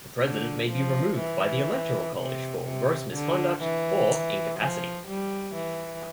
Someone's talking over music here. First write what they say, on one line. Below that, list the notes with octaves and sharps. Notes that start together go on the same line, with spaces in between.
The President may be removed by the electoral college for gross misconduct or incapacity.
D3
F3
E3
C3
C3
D3
E3
F3
G3
E3